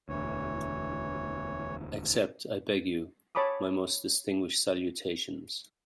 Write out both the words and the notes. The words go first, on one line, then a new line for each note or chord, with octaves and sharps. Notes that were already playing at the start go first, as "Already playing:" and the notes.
Accept, I beg you, my most distinguished salutations.
E1 D2 E3 C#5
C#5 A5 B5 D6 D#6